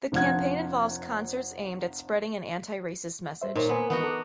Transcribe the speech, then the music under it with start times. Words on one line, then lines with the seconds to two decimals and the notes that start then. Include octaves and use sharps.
The campaign involves concerts aimed at spreading an anti-racist message.
0.12 F1 F3 D4 F#5 G#6
3.42 G3 C5 E5
3.56 A#2 D#4 C5 C#5
3.69 A#3 B3 C5 G#5
3.90 E3 B3 D#4 F#4
4.03 A4 D6